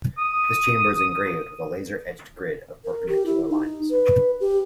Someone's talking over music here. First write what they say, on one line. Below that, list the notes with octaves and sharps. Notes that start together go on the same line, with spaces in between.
This chamber is engraved with a laser-etched grid of perpendicular lines.
D#6
A#4
G4
E4
D#4
B4
G4